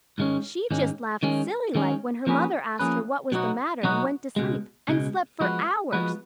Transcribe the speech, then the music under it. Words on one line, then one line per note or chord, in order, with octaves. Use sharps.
She just laughed silly-like when her mother asked her what was the matter and went to sleep and slept for hours.
G#2 D#3 G#3 C#4
G#2 D#3 G#3 C#4
D#3 G#3 C#4
D#3 G#3 C#4
F3 A#3 C#4 G#4 B4
F3 A#3 C#4 G#4 B4
B2 F#3 B3 D#4 F#4
B2 F#3 B3 D#4 F#4
C#2 B2 G#3
C#2 B2 G#3
F3 G#3 B3 F#4 B4
F3 G#3 B3 F#4 B4